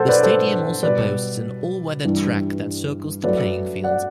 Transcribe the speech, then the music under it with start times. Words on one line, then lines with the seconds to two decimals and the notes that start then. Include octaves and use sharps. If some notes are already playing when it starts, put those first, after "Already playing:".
The stadium also boasts an all-weather track that circles the playing field.
Already playing: B2 F#3 A3 A4 C5 F#5 A5
0.09 B4 D5
0.23 A4 C5
0.83 B2 G3 B4 D5
2.04 G2 E3 G3
3.24 F#2 F#3 A3 B4 D5
3.84 D5 F#5